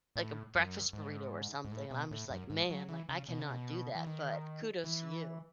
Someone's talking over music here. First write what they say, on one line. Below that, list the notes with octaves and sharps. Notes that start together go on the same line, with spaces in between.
like a breakfast burrito or something, and I'm just, like, "Man," like, "I cannot do that, but kudos to you."
A2
F#2
G#2
G#2
A2
B2
A2
F#2
G#2
F#3
E3
C#3
B2
C#3
B2
E3
D#3
E3